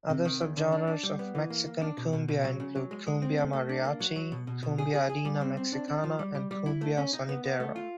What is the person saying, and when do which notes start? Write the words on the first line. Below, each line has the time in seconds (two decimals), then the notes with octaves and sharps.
Other subgenres of Mexican cumbia include Cumbia Mariachi, Cumbia Andina Mexicana, and Cumbia Sonidera.
0.10 C3
0.25 D#3
0.41 E2
0.57 D3
0.72 D4
0.87 D4
1.03 G3
1.19 B3
1.35 E3
1.50 A#3
1.66 A#3
1.82 D4
1.97 B2
2.13 B2
2.28 B2
2.44 F#3
2.60 C#3
2.75 F#3
2.91 G#3
3.07 G#3
3.22 C4
3.38 A3
3.53 A3
3.69 D4
3.85 A#3
4.00 F#3
4.16 F#3
4.32 B2
4.47 B2
4.63 B2
4.78 G#4
4.94 G#4
5.10 G#4
5.25 G3
5.41 C4
5.57 C4
5.72 D4
5.88 D4
6.04 F3
6.19 G3
6.35 G3
6.51 G3
6.66 E4
6.81 A3
6.97 C#4
7.13 D#4
7.29 B3
7.44 B3
7.60 A3
7.76 F4